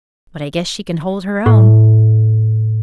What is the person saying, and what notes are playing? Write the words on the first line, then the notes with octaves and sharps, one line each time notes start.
But I guess she can hold her own.
A2